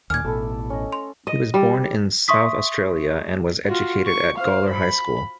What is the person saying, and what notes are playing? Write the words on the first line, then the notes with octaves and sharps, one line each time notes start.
He was born in South Australia and was educated at Gawler High School.
D#2 A#2 G#5 D6 F6 G#6
A1 B2 A3 E4 A4
C#4 D#5
C6
D#5
G3
E5 C6 C#6 D#6 B6
F4 F#4
C#6
C5 F5
B5